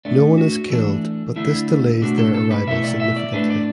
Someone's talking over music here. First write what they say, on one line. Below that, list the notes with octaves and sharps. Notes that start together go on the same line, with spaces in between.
No one is killed but this delays their arrival significantly.
A2 A3 D4 D5
F#4
E3 A3 D4 A4
D3 A3 D4 E4
B2 A3 D4 F#4
A4
A4
B4
B2 A3 E4 E5
D5
E5
D5
A2 A3 D4 B4
D5